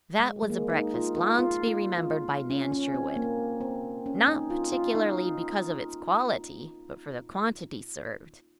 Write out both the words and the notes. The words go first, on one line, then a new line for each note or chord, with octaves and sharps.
That was a breakfast long to be remembered by Nan Sherwood, not particularly because of its quality, but for the quantity served.
G#3
G#3
A#3
D#4
F4
F4
F4
F4
F4
C#4
C#4
C4
A#3
C4
C#4
D#4
F4
F4
D#4